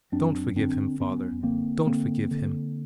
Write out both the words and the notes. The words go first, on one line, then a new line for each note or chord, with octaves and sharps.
'Don't forgive him, father, don't forgive him!
F#2 C4 D4
D3 C4 D4
F#2 B3 C#4
D3 A#3 C4
D3 A#3 C4
D3